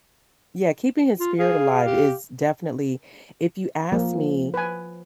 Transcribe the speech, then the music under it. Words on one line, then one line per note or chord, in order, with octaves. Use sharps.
Yeah, keeping his spirit alive is definitely If you ask me,
F4
G#4 F5
G4
F3 A#3
B4 G#5